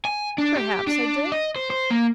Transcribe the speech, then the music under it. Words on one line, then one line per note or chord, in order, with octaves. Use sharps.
"Perhaps I did."
G#5
D4
G4
D4
D#5
C5
C5
A#3